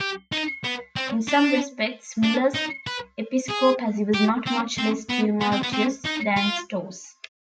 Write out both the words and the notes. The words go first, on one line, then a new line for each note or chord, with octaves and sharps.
In some respects, Miller's episcopacy was not much less tumultuous than Stough's.
G4
D#4
B3
C4
D4
D4
D#4
B4
G#4
G4
C4
C4
B3
B3
C4
B3
C4
D#4
F4